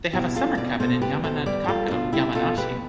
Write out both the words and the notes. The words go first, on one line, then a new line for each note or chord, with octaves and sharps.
They have a summer cabin in Yamanakako, Yamanashi.
B2 E4 G4
G3 F4 A4
B2 B4 D5
B2 A4 C5
G3 G4 B4
B2 A4 C5
G3 B4 D5
G4
G3 F4 A4
B2 D4 F4
G3 E4 G4
B2 F4 A4
B2 G4 B4